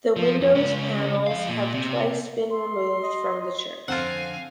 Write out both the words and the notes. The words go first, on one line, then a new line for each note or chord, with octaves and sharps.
The windows panels have twice been removed from the church.
F3
F2
C#2 C#4
F2 F5
A#2
C3
C6
D#5
F2 D3 C4 F4 C5 F5 F#5 G#5